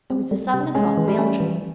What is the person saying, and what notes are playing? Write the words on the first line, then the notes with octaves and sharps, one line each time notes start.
It was the seven o'clock mail train.
C4
G3
C3
G#3 C#4
E3
G3
C#4
E3